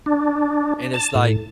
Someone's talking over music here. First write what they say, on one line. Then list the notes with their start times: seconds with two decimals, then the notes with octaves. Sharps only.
And it's like,
0.06 D4
0.94 A5
1.15 A2